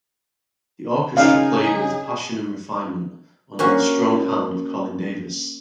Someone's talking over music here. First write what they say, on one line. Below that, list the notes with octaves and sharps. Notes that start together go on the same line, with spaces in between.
The orchestra played with "passion and refinement" under the "strong hand" of Colin Davis.
C#3 D#4 G#4 F5
A#3 C#4 F#4 F5